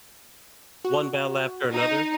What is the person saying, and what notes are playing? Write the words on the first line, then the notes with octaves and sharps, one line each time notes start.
One Battle After Another?
F#4
D#4